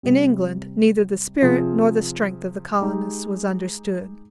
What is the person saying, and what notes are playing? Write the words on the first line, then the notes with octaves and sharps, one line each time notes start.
In England neither the spirit nor the strength of the colonists was understood.
C3 G3 C4
C3 F3 C4 F4 G#4
G#3 D#4 G4